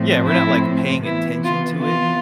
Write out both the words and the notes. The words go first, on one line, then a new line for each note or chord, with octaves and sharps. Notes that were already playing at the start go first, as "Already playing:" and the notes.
Yeah, we're not, like, paying attention to it
Already playing: A2 F3 A3 C4
E4
C3 E3 B3 E4
F4
F4